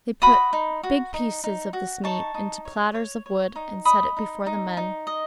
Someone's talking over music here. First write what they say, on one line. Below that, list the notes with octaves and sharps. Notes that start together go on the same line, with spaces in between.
They put big pieces of this meat into platters of wood and set it before the men.
F#4 B5 D#6
D#4
F#4
D#4
D#4
F#4
D#4 A5 C#6
D#4
C#5
C#5
C#5
D#4
D#5 B5 D#6
D#4
D#4
D#4
D#5